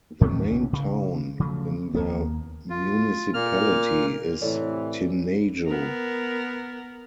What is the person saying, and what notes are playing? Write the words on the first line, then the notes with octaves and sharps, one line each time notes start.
The main town in the municipality is Tinajo.
A2 D#3 A3 B3
B1 C#3 E3 C#4
C#3
C#3 F3 F#3 A3
D#2 A#3 B3
F4
A#2 A#3 F6
A2 C3 E3 A4 C#5 D5
B3 A#4